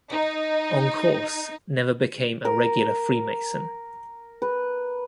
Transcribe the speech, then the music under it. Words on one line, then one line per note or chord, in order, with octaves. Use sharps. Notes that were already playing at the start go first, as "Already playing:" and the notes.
Encausse never became a regular Freemason.
D#4
A#4
B4